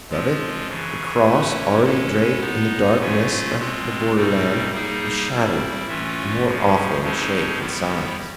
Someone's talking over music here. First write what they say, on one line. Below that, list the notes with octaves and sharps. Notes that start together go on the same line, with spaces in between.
Above it the cross already draped in the dark mists of the borderland was shadowy and more awful in shape and size.
F3 G#3 C4 F4
F#2 C#3 E3
E3 A3 C#4 E4
G#3 C#4 E4 A4
G#3 B3 D#4
C#3 F#3 A3 C#4 F4
B2 G#3 C4 F4
B2 G3 C4 D#4
G3 A#3 D#4 G#4
G3 C4 E4
A2 E3 A3 C#4 F4
F#2 C#3 F3
C#3 F3 G#3 C4 D#4
D#3 G3 B3 E4 G4